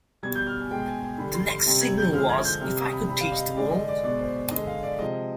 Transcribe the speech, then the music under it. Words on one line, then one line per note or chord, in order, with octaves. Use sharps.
The next single was "If I Could Teach the World".
B2 G3 G#6
G6
F6
G#5
B2 G#3 G5
G#5
G#5
D3 G3 B5
C6
C6
C3 G3
G#6
G6
D3 F3 G#3 F6
G#6
G6
C3 G3 F6
D#6
B5
C3 G3 B5
F5
D#5
D3 G#3 D5
D#5
D5
B2 G#3 D5
C5
D3 D#5
G#3
F5
D5
C3 F3 G#3 D#5